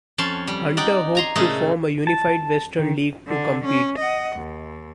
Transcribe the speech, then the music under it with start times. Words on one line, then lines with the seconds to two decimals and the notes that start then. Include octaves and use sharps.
Hunter hoped to form a unified western league to compete.
0.18 F2 C#4 A5 C6
0.47 G3
0.77 D#4 D5 F#5 G5
1.15 G#5 A#5 C6
1.35 A#2 C#3 A3 G#4 A4 D#5
2.07 A5
2.79 D#3
3.28 D3
3.65 C#4
3.98 D#5 F#5
4.36 D#2